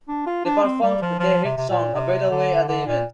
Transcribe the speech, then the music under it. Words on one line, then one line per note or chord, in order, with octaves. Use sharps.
They performed their hit song, "A Better Way" at the event.
D4
F4
D4
C4
G3
F3
F3
C3
C3
A#2
C3
D3
D3
A#2